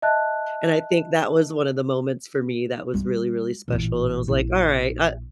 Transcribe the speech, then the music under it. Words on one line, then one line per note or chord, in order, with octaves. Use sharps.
and I think that was one of the moments for me that was really, really special, and I was like, "Alright, I
D#5 E5 A5 F#6
G3 F4
A1 A#2
A#1 E4